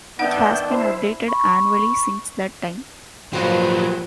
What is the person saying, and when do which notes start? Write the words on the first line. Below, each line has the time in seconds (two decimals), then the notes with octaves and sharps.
It has been updated annually since that time.
0.19 D#3 B3 D4 D#4 E5 F#5 G5
0.71 E4 C5 E5
1.28 B5 C#6
3.33 A#2 F3 F#3 F#4 G4 B4 C5